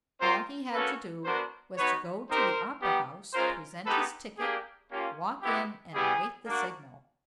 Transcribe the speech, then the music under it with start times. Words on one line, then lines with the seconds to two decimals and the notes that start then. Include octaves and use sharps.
All he had to do was to go to the opera-house, present his ticket, walk in and await the signal.
0.20 C4 F4 A#4 C5
0.72 A#3 C#4 F#4 A4 B4
1.25 B3 D4 F#4 A#4 C5
1.77 B3 D#4 F#4 B4 C#5
2.29 C4 D#4 G4 A#4 C5
2.81 G3 B3 D#4 G4
3.33 G#3 C#4 F4 A#4 C5
3.86 G#3 B3 D#4 G4 A4 B4
4.38 A#3 D4 G4 G#4
4.90 A#3 C#4 F4 G4
5.42 G#3 B3 E4 G4
5.94 G3 B3 E4 G4 G#4
6.46 A#3 D4 F#4